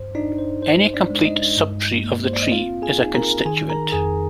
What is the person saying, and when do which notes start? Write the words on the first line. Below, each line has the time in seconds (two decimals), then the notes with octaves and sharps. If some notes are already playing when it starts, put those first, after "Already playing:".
Any complete sub-tree of the tree is a constituent.
Already playing: G2 C5
0.15 D4 D#4 D5
0.38 C5
0.62 D#4 C5
0.94 D4 D5
1.10 G#3
1.25 D#4 D#5
1.57 G2
2.04 A#3
2.24 C5
2.33 D5
2.42 D#5
2.51 C4 F4 F5
2.82 G#4 G#5
2.99 D#4
3.14 A#4 A#5
3.45 D#3 G#4 G#5
3.70 A#4 A#5
3.92 F2 G#4 G#5